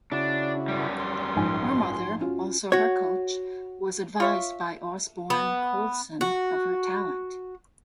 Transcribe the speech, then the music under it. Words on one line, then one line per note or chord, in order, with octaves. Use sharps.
Her mother, also her coach, was advised by Osborne Colson of her talent.
C#3 D4 E4 F#4
F#2 G3
C6
A#1 G#2 G#5
C#4 F4 F#4
F#4 C#5
F4 C#5 E5
B3
F#4